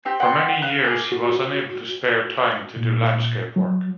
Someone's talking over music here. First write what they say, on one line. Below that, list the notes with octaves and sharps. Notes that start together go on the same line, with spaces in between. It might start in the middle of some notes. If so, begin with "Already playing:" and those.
For many years he was unable to spare time to do landscape work.
C4 G4
F#5 G5 C6
F5 F#6
A#3 G#4
F#4
F#4
A#2
F#3